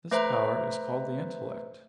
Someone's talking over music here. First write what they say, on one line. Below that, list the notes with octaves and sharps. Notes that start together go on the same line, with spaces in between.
This power is called the intellect.
A3 B4 C5 E5 A#5